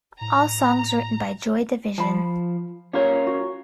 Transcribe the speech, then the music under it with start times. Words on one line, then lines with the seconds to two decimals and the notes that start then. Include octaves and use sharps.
All songs written by Joy Division.
0.21 A2 A#5
1.98 F3 A5 B5
2.93 C#4 F4 G4 A#4 C#5
3.27 F#4